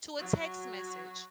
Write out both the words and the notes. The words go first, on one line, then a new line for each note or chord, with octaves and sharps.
to a text message."
F#3 F#4